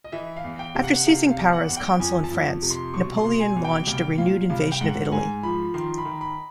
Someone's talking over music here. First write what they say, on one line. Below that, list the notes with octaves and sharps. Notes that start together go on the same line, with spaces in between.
After seizing power as consul in France, Napoleon launched a renewed invasion of Italy.
D#5
E3 E5
F5
E2
G5
C3 F5
F#5
C3 F5
F5
E2
F#5
E2
G5
F2 G#5
A5
F2
C3
C6
B2 C#6
C6
B2
G#5
E2
G5
C2 G5
A#2 F5
C2 F5
G5
G#2 F#5
G#2 G#5
F3 B5
D#3 C6
B5
D#3
B5